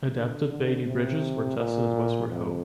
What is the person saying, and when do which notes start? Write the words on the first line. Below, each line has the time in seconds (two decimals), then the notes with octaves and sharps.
Adapted Bailey Bridges were tested at Westward Ho!
0.13 D3
0.49 D3
0.85 C3
1.57 A#2
2.29 F2